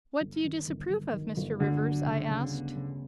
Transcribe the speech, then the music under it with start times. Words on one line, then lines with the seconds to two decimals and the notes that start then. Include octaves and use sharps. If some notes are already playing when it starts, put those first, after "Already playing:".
"What do you disapprove of, Mr. Rivers?" I asked.
0.21 G1
0.45 D#3
0.68 G1
0.90 G1
1.13 D#3
1.37 G1
1.60 D2 D3
1.83 F#3
2.06 C#3
2.29 C#3
2.53 B3
2.76 C#3